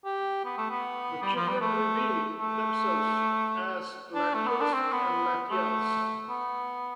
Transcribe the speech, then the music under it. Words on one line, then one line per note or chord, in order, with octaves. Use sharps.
The children revealed themselves as Latios and Latias.
G4
B3
A3
B3
G3
F3
G3
A3
A3
D4
A3
B3
D4
C4
B3
A3
B3